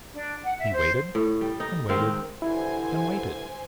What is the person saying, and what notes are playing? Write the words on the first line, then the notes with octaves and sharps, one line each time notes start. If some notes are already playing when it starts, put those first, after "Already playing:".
He waited and waited and waited.
D4
F#5
E5
C5
A2
G3
D#4
D#3 G#3 C4 F5
G2 D3 E3 E4 C5 G#5